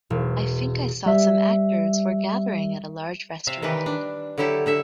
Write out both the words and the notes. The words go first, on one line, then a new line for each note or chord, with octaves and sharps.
I think I saw some actors were gathering at a large restaurant.
E1
G3 E5
C3 E5 F5
D#3 E3 G3 B4
D4
D3 F#3 E4 G4 A4
D3 A4 E5